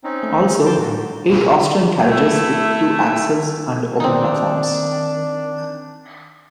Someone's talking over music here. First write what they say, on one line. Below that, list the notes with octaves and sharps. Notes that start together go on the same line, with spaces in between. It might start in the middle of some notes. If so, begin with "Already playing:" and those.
Also eight Austrian carriages with two axles and open platforms.
C4 C#4 D#4
A3
F#3 G5 A5 C6
A2 F#4
A3 E4
D#3 C4 D4 D#4